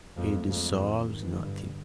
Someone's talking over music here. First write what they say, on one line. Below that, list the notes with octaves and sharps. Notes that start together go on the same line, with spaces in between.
He deserves nothing.
F2 G#3 A#3
A3
F2 F#3 G#3
D#3
D#3
E3
D#3
G2 D3